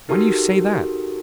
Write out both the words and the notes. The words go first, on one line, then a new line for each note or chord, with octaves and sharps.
"Why do you say that?"
D#4 F#4 G4 A4 A#4